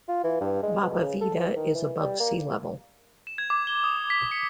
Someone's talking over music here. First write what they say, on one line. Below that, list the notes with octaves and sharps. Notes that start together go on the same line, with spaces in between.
Baba Vida is above sea level.
F4
E3
G2
G#3
B2
C#3
A4
E3
D#3
E3
G3
A#3
E7
G#6
D6
G7
D#6
B6
C#7